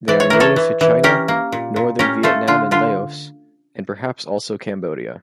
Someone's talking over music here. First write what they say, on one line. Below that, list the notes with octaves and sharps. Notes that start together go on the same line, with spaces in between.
They are native to China, northern Vietnam and Laos, and perhaps also Cambodia.
E3 D5
C#5
E3 A#4
A4 C#5
E3
E3
C#4 G4 A#4
A#3
A#2
A#2
C#4 G4 A#4
A3 F4 A4
D3 F4
D3 F4